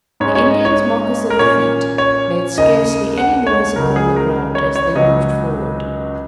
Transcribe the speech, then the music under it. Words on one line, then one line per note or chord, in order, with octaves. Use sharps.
The Indians' moccasined feet made scarcely any noise upon the ground, as they moved forward.
G#2 G#3 C#4 C#5
C#5
D#5
C#5
A#4
A#2 A#3 C#4 C#5
C#5
D#2 C#3 A#3 D#5
F#5
C#5
C#2 C#3 F#3 A#4
G#4
A#4
C#5
C#5
C#2 C#3 F#3 C#4 D#5